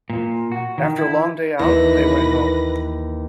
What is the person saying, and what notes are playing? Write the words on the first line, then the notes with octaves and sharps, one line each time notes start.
After a long day out, they went home.
A#2
F#4
D#3
E4
D#2 E3 B4 A#6